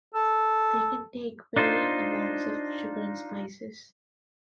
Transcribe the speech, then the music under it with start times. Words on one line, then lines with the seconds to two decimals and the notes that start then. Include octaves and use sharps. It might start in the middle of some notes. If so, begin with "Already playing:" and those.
They can take varying amounts of sugar and spices.
0.14 A4
1.56 D4 D#4 F4 C5